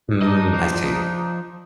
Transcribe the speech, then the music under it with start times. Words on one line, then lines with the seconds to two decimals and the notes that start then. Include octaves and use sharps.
Mm, I see.
0.22 D4 D#4 D#5
0.54 F3